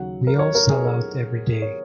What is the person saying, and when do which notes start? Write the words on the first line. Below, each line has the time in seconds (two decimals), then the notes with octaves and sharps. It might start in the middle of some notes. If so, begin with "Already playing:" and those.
We all sell out every day.
Already playing: D#2 C#3 F#3 F#5
0.27 A#4
0.39 C#5
0.55 A#4
0.69 G#4
0.85 A#4
1.62 C#5